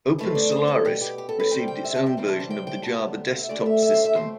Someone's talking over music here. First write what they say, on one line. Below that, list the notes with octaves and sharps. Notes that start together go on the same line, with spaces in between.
OpenSolaris received its own version of the Java Desktop System.
B2 A3 C4 B4
D5
C5
A4
B2 B3 G4
G4
G4
A4
B4
C3 G3 C4 G5
G5
E5
A5
G5
C3 E3 G3 C4 G5
A5
A5
G5
G5
D2 C3 F3 B3 A5
F5
E5
D2 D3 A3 D5
E5
E5
C5
E5
B2 A3 C4 C5